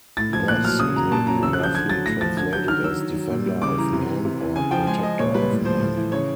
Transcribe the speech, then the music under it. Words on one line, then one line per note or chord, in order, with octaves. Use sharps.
Thus it may be roughly translated as "defender of man" or "protector of man".
A2 A6
F3 G#6
A#2 F#6
F#3 F6
C#3 D#6
F#3 A#5
A#2 A5
F#3 A#5
C#3 E6
F#6
F3 G6
D3 G#6
F#3 A6
A2 A#6
F3 A6
D3 G#6
F#3 G6
D#3 F6
F#3 E6
D#3
F#3
A#2
G3
C#3 D6
E3 A#5
C3
E3
C3
E3
C#3 G#5
F3 G5
G#3 G#5
G#3 D#5
A#2 C#5
G3 B4
A2
F3 C5
A2
E3
C#3 C#5